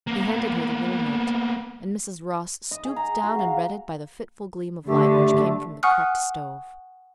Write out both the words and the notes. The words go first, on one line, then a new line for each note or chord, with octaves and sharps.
He handed her the little note, and Mrs. Ross stooped down and read it by the fitful gleam of light which came from the cracked stove.
A#3 B3
D#5
G#4
A#5
F#4
F5
D3 A3 G4
F#5 G#5 C#6 D#6 F6 F#6